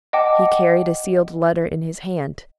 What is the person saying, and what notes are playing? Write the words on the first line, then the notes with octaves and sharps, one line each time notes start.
He carried a sealed letter in his hand.
D#5 F#5 G5 A5 D6